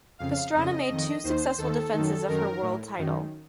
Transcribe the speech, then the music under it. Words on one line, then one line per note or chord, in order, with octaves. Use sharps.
Pastrana made two successful defenses of her world title.
F2 C#3 F5
F2 C#3 D#5
F2 D#3
D#2 D#3 C5
D#2 D#3 A4
F#2 D#3
F#2 D#3 A#4
A2
F#2 D#3